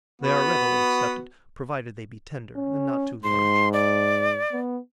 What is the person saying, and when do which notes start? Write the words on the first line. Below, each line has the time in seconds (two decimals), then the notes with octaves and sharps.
They are readily accepted, provided they be tender and not too large.
0.22 B3 F#4
2.56 C#4
3.23 G#2 C6
3.73 D5
4.52 B3